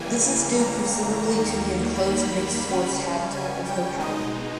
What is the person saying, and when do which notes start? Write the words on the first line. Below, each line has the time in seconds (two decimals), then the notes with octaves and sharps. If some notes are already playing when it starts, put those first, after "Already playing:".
This is due presumably to the enclosed mixed forest habitat of Hokkaido.
Already playing: C#3 E3 G3 A#3 G#5
0.58 A#5
1.26 D#2 D#3 G3 A#3
1.95 B5
2.63 C#3 G3 C#4
3.32 G#5
3.65 G5
4.00 B2 G#3 D#4 D#5